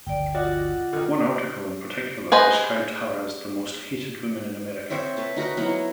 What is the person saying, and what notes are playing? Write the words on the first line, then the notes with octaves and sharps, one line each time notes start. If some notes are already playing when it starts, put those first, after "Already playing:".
One article, in particular, described her as "the most hated woman in America".
G1 D2 D5 G5
F4 F#4 D5 D#5
D3 D#3 F4
G#4 B4 C5 D#5
C4 C5 C#5 E5
B4 C#5 A5
D#4 F#4 A#4 B4
F#3 B3 E4